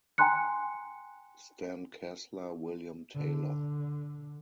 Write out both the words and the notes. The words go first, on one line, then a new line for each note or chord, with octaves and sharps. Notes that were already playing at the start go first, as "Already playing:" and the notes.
Stan Kesler - William Taylor.
G5 G#5 A#5 C6 F#6 C#7
D3